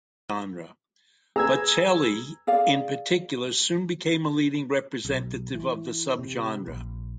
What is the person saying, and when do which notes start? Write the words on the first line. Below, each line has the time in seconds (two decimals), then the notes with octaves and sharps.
Bocelli, in particular, soon became a leading representative of the subgenre.
1.36 G#4 B4 A#5 E6 G#6
2.47 G#4 D5 F5
5.05 B1
5.55 E3
6.19 C3
6.68 A#1